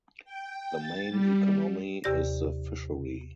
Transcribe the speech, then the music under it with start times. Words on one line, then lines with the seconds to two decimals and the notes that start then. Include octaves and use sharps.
The main economy is the fishery.
0.24 G5
0.78 A6
1.10 G3
2.04 D#2 C3 G4 D5 A#6